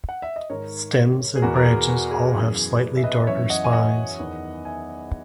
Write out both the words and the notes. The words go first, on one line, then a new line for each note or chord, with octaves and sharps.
Stems and branches all have slightly darker spines.
F#5
E5
D#5
G#2 D#3 A#4 C#5
G#4
E2 B2 F#4 A#4
A#4
G#4
F#4
G#4
F#2 E3
G#4 B4
E5
B4 D#5
F#2 E3 C#5 E5
D#5 F#5
G#5
D#5 F#5
E2 D#3
E5 G#5